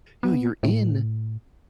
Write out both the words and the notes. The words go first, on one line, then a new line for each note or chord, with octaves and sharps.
yo, you're in
B3
A2